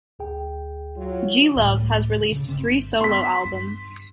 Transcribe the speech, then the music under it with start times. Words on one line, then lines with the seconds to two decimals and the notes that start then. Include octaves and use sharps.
G. Love has released three solo albums.
0.19 D2 G#4 G5
0.97 F#3 F4
1.55 C#2 A2 G3
2.32 C#3
2.48 G1 C4
3.01 B3 C6 B6
3.45 G2